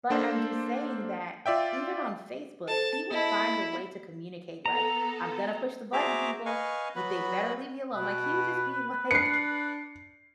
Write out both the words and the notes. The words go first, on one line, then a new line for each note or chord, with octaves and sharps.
But I'm just saying that even on Facebook, he would find a way to communicate, like, "I'm gonna push the button people. Y they better leave me alone." Like, he would just be, like,
A#3 D4 A4 C5
F4 D5 E5 G5
A4 C5 A5
B3 E4 D#5 A5
B3 A4 A#5
F#4 G#4 C5 E5 A#5 D6
B4 D#5 F5 G#5 C#6
F#3 B3 F#4 B4 B5
B2 B4
D4 C7 C#7